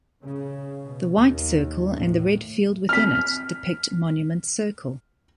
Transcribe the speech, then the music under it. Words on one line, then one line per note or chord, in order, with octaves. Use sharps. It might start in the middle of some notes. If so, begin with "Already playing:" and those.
The white circle and the red field within it depict Monument Circle.
C#3
B2
D#2
A2
F6 B6